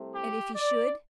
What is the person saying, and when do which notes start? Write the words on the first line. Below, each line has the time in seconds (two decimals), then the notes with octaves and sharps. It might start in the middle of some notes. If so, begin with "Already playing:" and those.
"And if he should?"
Already playing: C2 C3 A3 C4
0.16 G4
0.55 D5